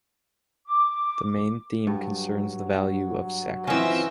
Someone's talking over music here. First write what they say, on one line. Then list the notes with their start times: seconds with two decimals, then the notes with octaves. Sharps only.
The main theme concerns the value of sacraments.
0.66 D6
1.87 G2 F#3
3.67 E3 F3 C4 C#4 D#5 E5 E6